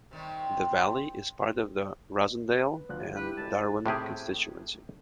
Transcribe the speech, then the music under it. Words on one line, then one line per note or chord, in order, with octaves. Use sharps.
The Valley is part of the Rossendale and Darwen constituency.
C3 D#3 G3
B4
D2 F3 F#6
E4 G4 B4
G#1 A4 A5
A2 C3 G4 G#4